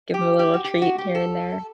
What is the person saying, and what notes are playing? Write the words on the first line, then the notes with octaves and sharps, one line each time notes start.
Give him a little treat here and there.
G4
G4
F#4
G4
F#4
G4
A4